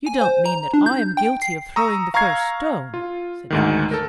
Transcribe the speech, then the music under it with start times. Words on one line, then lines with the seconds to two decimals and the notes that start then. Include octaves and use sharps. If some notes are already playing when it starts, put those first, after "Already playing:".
"You don't mean that I am guilty of throwing the first stone?" said Phineas.
0.06 G#5
0.21 C5
0.46 A#5
0.74 D4
0.86 G6
1.17 G5
1.42 C7
1.76 A#5 C#6 D#6 E6
2.14 F5 A#5 C#6 F6 G#6 C7
2.94 F4
3.50 D2 G#2 D#3
3.91 A4 A#4